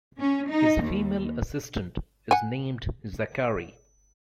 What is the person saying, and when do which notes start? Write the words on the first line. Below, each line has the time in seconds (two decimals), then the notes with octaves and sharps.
His female assistant is named Zachary.
0.20 C#4
0.50 D#4
0.82 D#2
2.31 F#5 G#5